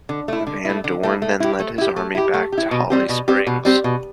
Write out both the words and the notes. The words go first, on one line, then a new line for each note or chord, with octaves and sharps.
Van Dorn then led his army back to Holly Springs.
D3
A3 E4
D3
A3 E4
D3
A3 E4
A3
E4 G4
A3
E4 G4
A3
E4 G4
A3
G4
E4
B2
G3 C4 G4
B2
G3 C4 G4
B2
G3 C4 G4
B2